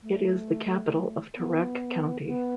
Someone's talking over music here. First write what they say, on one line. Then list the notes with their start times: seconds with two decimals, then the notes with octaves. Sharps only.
It is the capital of Turek County.
0.03 A3
1.36 B3
2.27 B3